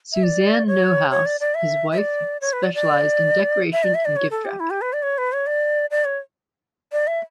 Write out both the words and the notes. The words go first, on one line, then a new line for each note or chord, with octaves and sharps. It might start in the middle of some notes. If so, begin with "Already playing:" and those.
Suzanne Neuhaus, his wife, specialised in decoration and gift wrapping.
E5
D5
C#5
C#5
D5
D5
E5
E5
D5
C#5
B4
D5
D5
E5
D5
E5
D5
C#5
A4
G4
E4
G4
B4
D5
C#5
B4
C#5
D5
D5
C#5
D5
E5